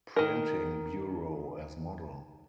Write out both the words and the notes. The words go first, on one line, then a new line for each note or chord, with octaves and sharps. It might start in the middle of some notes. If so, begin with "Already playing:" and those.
Printing Bureau as model.
D#3 A#4